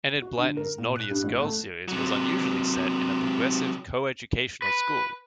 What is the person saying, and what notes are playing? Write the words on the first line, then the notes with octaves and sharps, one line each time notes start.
Enid Blyton's Naughtiest Girl series was unusually set in a progressive coeducational school.
F#4
D3
A#4
A#2
F#6
G2
A1
A3
C3 F#3
B4